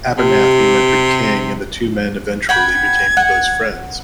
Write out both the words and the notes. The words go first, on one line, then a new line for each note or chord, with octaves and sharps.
Abernathy mentored King and the two men eventually became close friends.
C3 G4
F#5 G5 B5 G#6
F#5